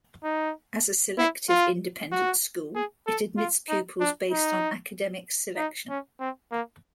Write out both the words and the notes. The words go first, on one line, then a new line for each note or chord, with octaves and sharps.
As a selective independent school it admits pupils based on academic selection.
D#4
E4
F4
F#4
G#4
A4
F4
D#4
D4
D#4
D#4
C#4
C4
A#3